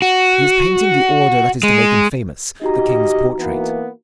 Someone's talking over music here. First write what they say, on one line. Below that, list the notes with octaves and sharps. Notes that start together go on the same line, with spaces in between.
He is painting the order that is to make him famous: the King's portrait.
F#4
G#3
D#4 F#4 G4 D#5 A#5
E3 A#3 B3